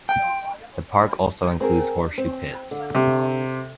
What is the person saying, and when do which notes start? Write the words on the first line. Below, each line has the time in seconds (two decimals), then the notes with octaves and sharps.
The park also includes horseshoe pits.
0.09 G5
1.61 C4 G#4 A#4
2.18 C4
2.71 D3
2.95 C3